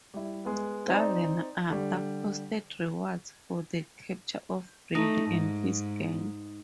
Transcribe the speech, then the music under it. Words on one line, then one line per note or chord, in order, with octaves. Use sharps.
Governor Arthur posted rewards for the capture of Brady and his gang.
G3 E4
G#3 B3
C4 D#4 D5
D3 G3
A3 D#4
G#2